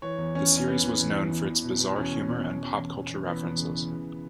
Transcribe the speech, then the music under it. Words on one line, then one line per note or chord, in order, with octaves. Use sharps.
The series was known for its bizarre humor and pop-culture references.
E3 C#5
E2
E3 C#4
E2
C#4
E2 B3
E3
E2
E3
E2
E2
B2
B2
E2 C#4
E2
B2
B2
E2
E2
E2
E2
E3 B3
E2
C#3
E3
C#3